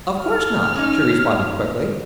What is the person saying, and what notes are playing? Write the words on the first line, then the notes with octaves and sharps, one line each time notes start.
"Of course not," she responded, quickly.
F6
C#4 D#4